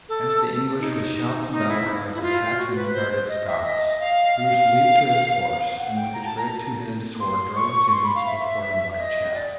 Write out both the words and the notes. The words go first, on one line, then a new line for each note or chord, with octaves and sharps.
As the English with shouts and battle cries attacked the unguarded Scots, Bruce leaped to his horse and with his great two-handed sword drove his enemies before him like chaff.
A4
D#4
D#4
E4
E4
F4
F#4
B4
C5
D#5
E5
D#5
F5
F5
F#5
G5
A#5
A5
A#5
C6
C#6
C6
B5
F5
E5
D#5
D5